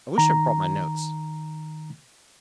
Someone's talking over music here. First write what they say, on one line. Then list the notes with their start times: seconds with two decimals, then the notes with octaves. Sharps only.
I wish I'd brought my notes.
0.18 D#3 A#5